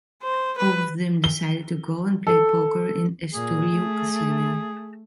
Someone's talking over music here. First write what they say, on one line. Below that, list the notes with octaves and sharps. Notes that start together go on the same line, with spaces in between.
All of them decided to go and play poker in Estoril’s casino.
C5
B4
G7
A4
A#2 G#4
A3